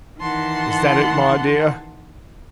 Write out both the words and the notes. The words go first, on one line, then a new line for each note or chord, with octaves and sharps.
Is that it, my dear?'
D#3 E3 F#5 A5 C6